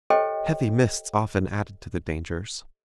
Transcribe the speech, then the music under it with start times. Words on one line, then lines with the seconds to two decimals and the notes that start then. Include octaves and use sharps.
Heavy mists often added to the dangers.
0.10 G4 A4 C5 C#5 D#5 G5